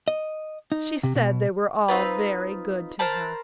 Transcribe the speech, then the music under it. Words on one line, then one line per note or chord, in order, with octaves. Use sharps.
She said they were all very good to her.
D#5
D#4
C3
B2
C4 D#4 F4 B4
A#4 C5 A5 B5